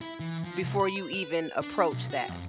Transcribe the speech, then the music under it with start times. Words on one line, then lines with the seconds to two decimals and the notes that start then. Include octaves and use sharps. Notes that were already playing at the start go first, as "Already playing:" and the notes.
before you even approach that.
0.01 E4
0.20 E3
0.45 F3
0.63 C2
0.80 B5
0.96 C5
1.14 B4
1.62 D4
1.92 B1
2.10 F#4
2.29 F2